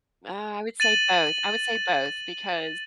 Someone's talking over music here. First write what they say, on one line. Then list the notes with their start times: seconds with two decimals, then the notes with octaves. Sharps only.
I would say both I would say both, because,
0.80 A6 D#7 F#7